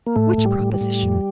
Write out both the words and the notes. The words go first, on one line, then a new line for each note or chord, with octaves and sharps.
"Which proposition?"
A#3
A2 A3
A2
G3
A2
G3
A2
F2